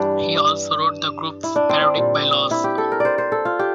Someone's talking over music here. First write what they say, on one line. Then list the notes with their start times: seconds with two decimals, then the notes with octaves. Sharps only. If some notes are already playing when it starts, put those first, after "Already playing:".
He also wrote the group's parodic by-laws.
Already playing: G2 E3 G3 D4
1.44 E4
1.56 D4
1.69 C4
1.81 D4
1.96 A#2 G3
2.51 E4
2.64 G4
2.78 A4
2.92 A#4
3.00 C5 D5
3.18 C5
3.32 A4
3.45 F4
3.59 G4